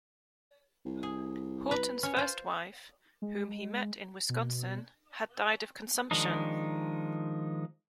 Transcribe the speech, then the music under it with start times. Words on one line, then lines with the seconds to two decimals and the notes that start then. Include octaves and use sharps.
Horton's first wife, whom he met in Wisconsin, had died of consumption.
0.86 C2
1.03 G#4
1.71 B4 A#5
2.03 C#4 C#5
2.17 F4 C5
3.22 G#3
4.29 B2
6.11 D#3 F3 G#3 D4 D#4